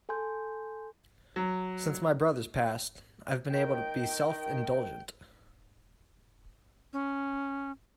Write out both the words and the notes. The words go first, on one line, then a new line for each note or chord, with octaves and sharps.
Since my brothers passed, I've been able to be self-indulgent.
A4 G#5 C6 G6
F#3
D#3 G5
C#4